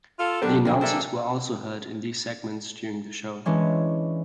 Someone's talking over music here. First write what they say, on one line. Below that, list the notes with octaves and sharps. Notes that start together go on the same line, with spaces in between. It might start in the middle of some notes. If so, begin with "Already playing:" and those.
The announcers were also heard in these segments during the show.
F4 A4 F5
D#3 F#3 G3 B3 D4 A4 C5 A5
D3 F3 A#3 C#4 G5 G#5
A#3 D4 A4 C5 D5 E5
E3 G#3 C#4 D4